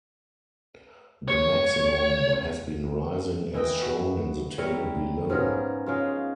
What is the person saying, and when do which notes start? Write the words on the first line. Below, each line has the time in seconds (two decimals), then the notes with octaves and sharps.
The maximum has been rising as shown in the table below.
1.28 C#5
3.54 E3 E4 D#5 G5
3.82 F#4
4.58 G3 E4 A#4 C#5
5.30 G#2 C#3 B3 A#4
5.86 C#3 G#3 F4